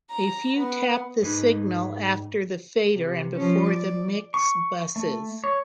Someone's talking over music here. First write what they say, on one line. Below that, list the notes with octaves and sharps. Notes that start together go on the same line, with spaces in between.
A few tap the signal after the fader and before the mix buses.
A#5
B3
G#2 D#4 G#4 B4
C3
F3 C#4
D5
C#6
A3
C#5